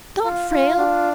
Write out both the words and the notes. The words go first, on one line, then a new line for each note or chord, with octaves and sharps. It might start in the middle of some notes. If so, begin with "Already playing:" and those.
Don't, Frale.
F4
F4
D4